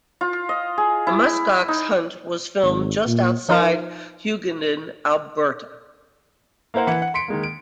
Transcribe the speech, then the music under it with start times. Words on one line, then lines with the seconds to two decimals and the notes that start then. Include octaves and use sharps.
The muskox hunt was filmed just outside Hughenden, Alberta.
0.21 F4
0.49 D#5
0.78 G#4
1.07 E4
1.68 D#4
2.63 G#1
3.07 A#2
3.49 F3 D#4 F4 A#4 C5
6.74 A#3 E4 A#4 C5 F#5
6.87 E3 F#5
7.02 F#5
7.14 C6 B6 C#7 D7
7.28 D#3 G#3 A#3
7.43 D7